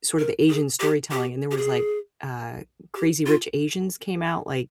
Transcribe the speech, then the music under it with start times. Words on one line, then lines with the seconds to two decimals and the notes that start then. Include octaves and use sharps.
sort of the Asian storytelling, and there was, like, uh, Crazy Rich Asians came out, like,
0.19 A#4
0.49 G#4
0.80 G4
1.11 G4
1.51 G4
1.57 G#4
2.96 G4
3.26 F4